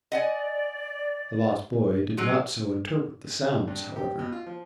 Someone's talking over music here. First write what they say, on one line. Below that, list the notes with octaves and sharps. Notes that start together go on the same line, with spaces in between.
The lost boy did not so interpret the sounds, however.
D5 D#5 F#5 G#5
F#3 G#3 F#4
G2
G4
B2
F4
F3